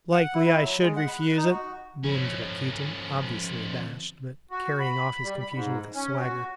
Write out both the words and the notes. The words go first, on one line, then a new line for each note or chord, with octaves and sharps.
"Likely I should refuse it," boomed Rakitin, obviously abashed, but carrying off his confusion with a swagger.
F#5
E4
E4
F#3
G#3
F#5
B5
F#6
D#4
F#4
F3 C#4
F#4
B5
G3
B5
G#2
C#4
F#4